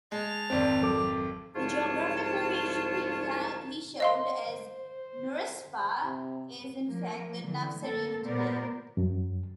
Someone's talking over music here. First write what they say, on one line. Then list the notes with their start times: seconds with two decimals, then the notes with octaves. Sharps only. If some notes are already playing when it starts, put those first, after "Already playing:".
The geographic location he showed as Narispa, is in fact the Navsari of today.
0.12 G#3 A5 F7
0.50 G#1 F2 C4 C5 D5
0.82 F#3 A4 D6
1.54 C2 G#2 F3 F4 C#5 A5
4.00 C5 D#5 F5 C6
6.04 C3
6.86 F3 A#3
7.44 D3 E3
7.79 A#3 A4
8.25 A#2 B3 A#4 C5 D5
8.97 F#2